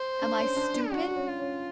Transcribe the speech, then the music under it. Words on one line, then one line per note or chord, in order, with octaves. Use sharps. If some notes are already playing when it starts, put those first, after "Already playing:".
Am I stupid?
Already playing: C5
D4
C#4
D4
D4
D4 F#4
C#4
F4
C#4